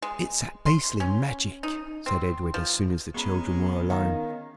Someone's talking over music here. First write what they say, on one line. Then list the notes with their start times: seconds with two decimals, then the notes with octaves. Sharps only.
"It's that beastly magic," said Edred as soon as the children were alone.
0.02 G#3
0.66 C6
1.00 C#4
1.63 D#4
2.06 C4
2.54 F3
3.14 G#3 B3 C#4 A#5 B5 C#6
3.90 D#3 F5